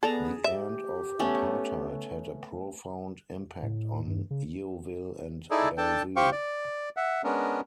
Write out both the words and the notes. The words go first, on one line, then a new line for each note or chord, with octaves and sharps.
The end of apartheid had a profound impact on Yeoville and Bellevue.
B3 G#4 A4 D5 A5 A#5
G4 E5
A3 B3 C#4
A2
G2
C#3
D#4 E4 G#4 A4 D5
D4 A4 G5 A5
G4 C5 F5 G5 C#6
D5
E5 F#5
G#3 B3 C#4 D4 A#4